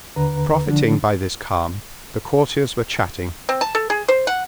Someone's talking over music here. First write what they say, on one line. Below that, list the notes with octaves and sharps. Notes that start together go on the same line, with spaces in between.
Profiting by this calm, the courtiers were chatting.
D#2 D3 B4 A#5
D3 F3 D4
C4
A5
A4
G#4
C5
F#5